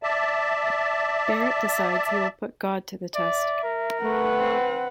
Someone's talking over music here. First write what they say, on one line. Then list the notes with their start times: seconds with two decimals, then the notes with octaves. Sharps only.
Barrett decides he will put God to the test.
0.03 D5 E5 A5
3.14 D5 E5
3.63 A#4
4.02 A3 B4 F#5
4.38 C4